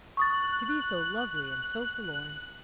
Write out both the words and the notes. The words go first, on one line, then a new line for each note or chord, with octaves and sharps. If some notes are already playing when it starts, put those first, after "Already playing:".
To be so lovely and so forlorn!
C#6 D#6 F#6 A6